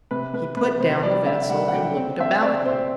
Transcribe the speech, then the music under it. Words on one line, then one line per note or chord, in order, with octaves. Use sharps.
He put down the vessel and looked about him.
C3 B4
C3 B4
C3 B4
C3 C5
G3 D5
D3 E5
G3 F#5
F#5
D3 G5
C4
C4 E5
C4 D5
C4 C5